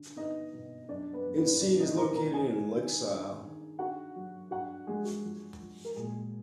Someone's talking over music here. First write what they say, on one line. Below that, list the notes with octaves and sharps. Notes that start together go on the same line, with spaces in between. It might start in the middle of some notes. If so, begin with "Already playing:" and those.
Its seat is located in Lycksele.
Already playing: D3
B3 D#4 D#5
B2
F#2 D4 D5
B3 B4
F#2
B3 B4
B2 D4 D5
D#4 D#5
B2 A#4 A#5
A#4 A#5
D#3 G#4 G#5
D#3
D4
D#3
D4 F#4 F#5
F#3
D4 F#4 F#5
F3 G#3 G#4
F#4
F3
F3
A#4
A#2 G#3 G#4